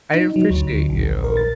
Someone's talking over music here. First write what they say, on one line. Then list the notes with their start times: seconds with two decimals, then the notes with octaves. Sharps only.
I appreciate you.
0.15 D#4
0.36 F#3
0.50 D2
0.89 A#1
1.24 A#4
1.37 A6